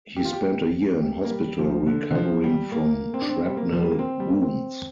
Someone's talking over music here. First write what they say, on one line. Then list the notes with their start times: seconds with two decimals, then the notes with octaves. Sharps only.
He spent a year in hospital recovering from shrapnel wounds.
0.17 G4
0.25 F4
0.33 G4
1.02 G4
1.25 A#3
1.30 G3
1.59 F3
1.87 D3
2.11 D3
2.15 F3
2.44 G3
2.72 A#3
3.14 C4
3.22 D4
3.29 C4
3.48 G3
3.57 A#3
3.72 F3
3.81 G3
3.90 A#3
3.99 C4
4.20 G3
4.30 A#3
4.42 C4